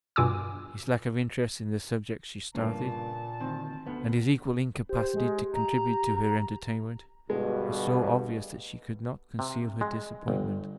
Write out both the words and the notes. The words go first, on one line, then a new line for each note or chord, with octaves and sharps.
His lack of interest in the subjects she started, and his equal incapacity to contribute to her entertainment, were so obvious that she could not conceal her disappointment.
G2 B2 F4 G#5 D6 E6
G2 A#2 C#3 A#3 F4 A5
D2 G2 D#3 C4
D2 B3
G4 C5
G#3
A#5
D2 G2 B2 G#3
C3
G#3
G1